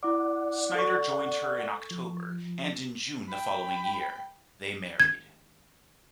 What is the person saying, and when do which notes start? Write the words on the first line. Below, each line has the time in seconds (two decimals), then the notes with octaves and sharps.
Snider joined her in October, and in June the following year, they married.
0.03 E4 D5 F#5 D6
0.75 A4 C#6
1.90 F3
3.29 G5 B5
5.00 G#6